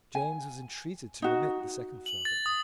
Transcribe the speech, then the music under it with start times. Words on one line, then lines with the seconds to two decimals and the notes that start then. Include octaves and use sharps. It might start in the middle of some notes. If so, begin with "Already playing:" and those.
James was entreated to remit the second flogging.
0.15 G#5
1.22 D#4 F#4
2.06 F#7
2.25 A6
2.46 D#6